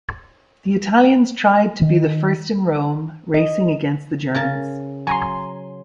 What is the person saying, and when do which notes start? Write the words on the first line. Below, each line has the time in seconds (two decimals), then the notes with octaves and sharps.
The Italians tried to be the first in Rome, racing against the Germans.
1.81 D#3
3.34 D#5
4.35 C#3 A#4 A5
5.07 F#3 G#5 A#5 C6